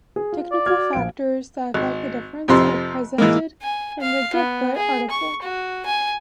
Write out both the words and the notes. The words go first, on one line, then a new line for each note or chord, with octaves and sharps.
Technical factors that affect the difference are presented in the "goodput" article.
G#4
F4
D5
F#4 F6 G#6
A#1 F5 D7
G#1
F2 C3 F3 C6
E3 G#3 A#3
G#5
F5
B3
G#4
C#6
F#4
G#5